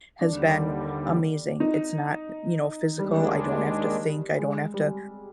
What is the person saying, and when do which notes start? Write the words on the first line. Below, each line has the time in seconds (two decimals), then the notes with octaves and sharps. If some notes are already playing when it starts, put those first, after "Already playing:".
has been amazing. It's not, you know, physical, I don't have to think, I don't have to
0.21 D#2 D3 G3 D4
1.60 D#4
2.99 D#2 D#3 G3 G#3 D4
4.38 G#3
4.74 G3